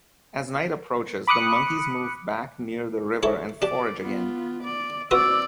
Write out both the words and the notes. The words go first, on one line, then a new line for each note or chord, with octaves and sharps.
As night approaches, the monkeys move back near the river and forage again.
B5 D6 D#6 F#6 C#7
E4 A4 C#5
D4 G4 D5
B3 F4
D5
C4 F4 F#4 B4 D5 E6